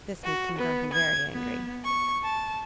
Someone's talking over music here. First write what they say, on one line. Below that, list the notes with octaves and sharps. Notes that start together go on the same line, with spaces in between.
This made King Grumpy very angry.
F#4
B3
G#6
B3
C#6
A5